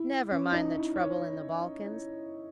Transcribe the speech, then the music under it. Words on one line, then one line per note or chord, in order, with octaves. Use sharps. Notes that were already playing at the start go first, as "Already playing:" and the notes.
'Never mind the trouble in the Balkans.
Already playing: E4
C#4
D#4
E4
C#5